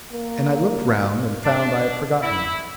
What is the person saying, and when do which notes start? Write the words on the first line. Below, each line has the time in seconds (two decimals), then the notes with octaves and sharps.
And I looked round, and found I had forgotten them.
0.12 A#3
1.43 D4
2.22 E4